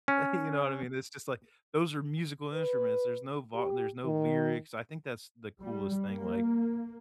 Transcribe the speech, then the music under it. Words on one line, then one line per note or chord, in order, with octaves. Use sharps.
you know what I mean? It's just like those are musical instruments. There's no vo there's no lyrics. I think that's the coolest thing like,
C#4
B4
G4
D#3
G3
A#3